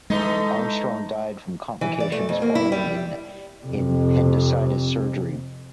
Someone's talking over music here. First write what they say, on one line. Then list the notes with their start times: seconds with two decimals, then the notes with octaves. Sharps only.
Armstrong died from complications following an appendicitis surgery.
0.10 E3 G#3 A3 D#4
1.81 E3
2.00 D5
2.12 A3
2.29 F2
2.42 A#3
2.55 E4
2.72 G3
3.65 F2 C3